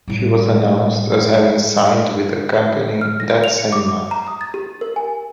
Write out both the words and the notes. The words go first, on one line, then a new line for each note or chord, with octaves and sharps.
She was announced as having signed with the company that same month.
A2 G3
F6
A#6
F7
C#7
D6
D6
A#5
D#6
A6
G4
A#4
G#5